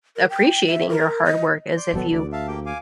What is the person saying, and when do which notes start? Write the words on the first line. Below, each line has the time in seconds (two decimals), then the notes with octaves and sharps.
appreciating your hard work as if you
0.16 A#4
0.30 G5
0.67 E5
0.90 A#4
1.25 D#5
1.77 D5 C6 G6
1.94 D#1 F#3 B3 A4
2.12 D2 D5
2.32 E5 F5 A5
2.48 A#3 G4 G5
2.66 F5 G#5 D6